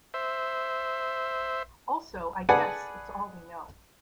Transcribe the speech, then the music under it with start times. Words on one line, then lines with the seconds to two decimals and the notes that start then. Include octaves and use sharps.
Also I guess it's all we know.
0.14 C5 E5
2.49 G#4 A4 B4 D5 F#5 G#5